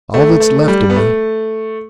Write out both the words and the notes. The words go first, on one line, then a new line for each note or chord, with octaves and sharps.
'All that's left of me.
A3
A3
G3
B3
A3